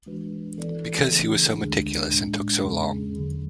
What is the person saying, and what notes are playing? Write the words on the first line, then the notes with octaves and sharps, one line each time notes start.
Because he was so meticulous and took so long.
E3 G#3 D4 F#4 B4
E3 B3 E4 A4 D5
C#3 E3 A3 D4 G#4
D2 D3 G#3 D4
A2 G#3 D4
E2 C#3 G#3 C#4 G#4
E2 D3 F#3